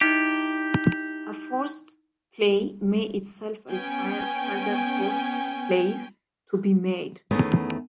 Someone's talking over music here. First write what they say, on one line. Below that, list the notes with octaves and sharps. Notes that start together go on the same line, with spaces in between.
A forced play may itself require further forced plays to be made.
D#4 E4 G4
B3 C#4 G5 G#5
E2 D#3 A3 B3 C#4 G#4